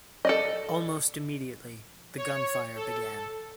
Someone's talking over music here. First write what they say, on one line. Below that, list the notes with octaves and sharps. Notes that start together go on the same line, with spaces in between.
Almost immediately, the gunfire began.
A4 D5 D#5
C#5
A4